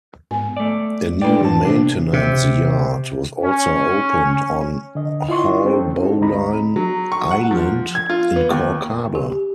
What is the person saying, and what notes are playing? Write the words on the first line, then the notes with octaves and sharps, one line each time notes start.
A new maintenance yard was also opened on Haulbowline Island in Cork Harbour.
G#2 B3 G#5
A3 D5
G#3 D4 B4 D5 G5
G#2 E3 A5
C3 B3 D4 F4 C5
C3
C#4
D3 D#5
E4 F4 D#5 C6 C#6
C4 C#4 A4 C5 G5
C#4 D#4 E4 F#4 A4
D2 G#3 C4 D#5 A#5 B5
F#3
C#6
F#5
F3
G#6
F4
B3
D#2
G4